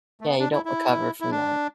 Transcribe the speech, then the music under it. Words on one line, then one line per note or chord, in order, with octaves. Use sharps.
Yeah, you don't recover from that.
A3
B3
D4
E4
E4
E4
D4